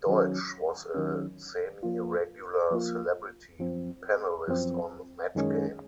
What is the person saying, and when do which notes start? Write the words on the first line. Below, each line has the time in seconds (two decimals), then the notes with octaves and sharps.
Deutsch was a semi-regular celebrity panelist on "Match Game".
0.06 D#3 F#3 C#4
0.94 D#3 F#3 C#4
1.83 F3 A#3 F4
2.71 F3 A#3 F4
3.59 F#2 F3 C4
4.47 F#2 F3 C4
5.35 F#2 D#3 G#3 C#4 G#4